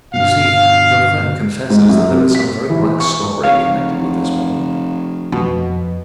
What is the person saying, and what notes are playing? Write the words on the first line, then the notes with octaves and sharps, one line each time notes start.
You see, your friend confesses that there is some very black story connected with this woman.
G1 G2 B2 F5
G#2
F#2
C3
B6
E3
C#6
F1 C#5 F5
F2 B2